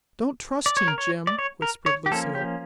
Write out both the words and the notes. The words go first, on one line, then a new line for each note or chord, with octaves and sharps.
"Don't trust him, Jim," whispered Lucille.
D5
C#5
A#4
C#5
D5
C#5
A#4
C#5
G4
F3 A#3 C#4 A4
G4